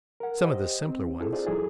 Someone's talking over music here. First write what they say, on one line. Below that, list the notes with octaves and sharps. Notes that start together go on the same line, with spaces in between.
"Some of the simpler ones."
A#4 F#5
G4 C5 D#5
C4
C4 E4 G#4 A4
D#4 F4 G#4 C5 D5
F2 F3 F#3 E4 G#4 A4